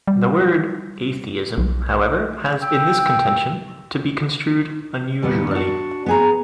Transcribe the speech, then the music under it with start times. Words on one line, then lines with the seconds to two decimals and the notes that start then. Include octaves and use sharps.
The word 'atheism', however, has in this contention to be construed unusually.
0.08 G3
1.58 B1
2.62 G5 E6
5.22 D#2 G3 B3
5.51 D4 F#4
6.06 B3 G#4 A#5